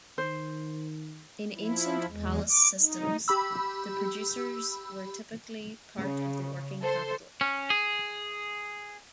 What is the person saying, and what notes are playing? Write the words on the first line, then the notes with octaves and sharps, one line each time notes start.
In ancient palace systems, the producers were typically part of the working capital.
D#3 C5
F3 E4
E2 G#3
D6
D#4
G4 B5 E6
C#3
A4 C5 C6
C#4
G#4